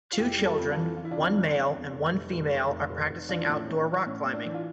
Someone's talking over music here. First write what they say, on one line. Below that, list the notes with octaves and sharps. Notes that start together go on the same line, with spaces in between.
Two children, one male and one female are practicing outdoor rock climbing.
F4
F1 E4 G4
G3
F4 A4
F2
F4 A4
E3
E3 F4
E4
D4 F4
F2
F2 D4
F2
E2
F1
F1
F1
F1
F1
F1
F1
E3 D4 F4
A2
C#4 E4
A#1
E4
D4
E3
A2 C#4
A2
D4
E3
F4